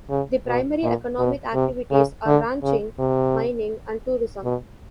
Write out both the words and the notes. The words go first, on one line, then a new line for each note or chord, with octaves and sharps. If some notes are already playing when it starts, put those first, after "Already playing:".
The primary economic activities are ranching, mining, and tourism.
C#3
B2
A#2
B2
C3
C#3
D3
C#3
C3
B2